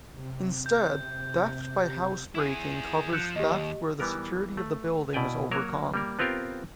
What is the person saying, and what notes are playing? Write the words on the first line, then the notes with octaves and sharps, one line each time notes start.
Instead theft by housebreaking covers theft where the security of the building is overcome.
C3
G6
E4 G#4
F3 F#6 G6 C#7
D#2 G4 D#5
E3 G3 B3 A#4
A3
B2 E4 D5 G5 G#5
F#3 A#3 F#4 A#4 C#5
G3 A#3 A#4
B3 C4 F4 G4 A#4